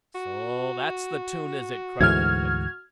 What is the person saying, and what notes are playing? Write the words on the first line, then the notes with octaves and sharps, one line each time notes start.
"So that's the toon, is it?" cried the cook.
F#4
D2 G#2 E3 F6 G#6